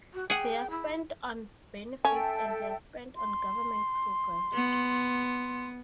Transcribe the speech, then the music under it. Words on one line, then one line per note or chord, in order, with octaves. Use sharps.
They're spent on benefits and they're spent on government programs.
F#4
G#4 F#5 G5
E4
C#4 A4 E5 G5
C6
B3